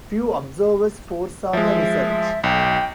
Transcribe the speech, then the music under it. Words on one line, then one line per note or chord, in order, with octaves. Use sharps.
Few observers foresaw the result.
F3 G#3 E5
B1 G5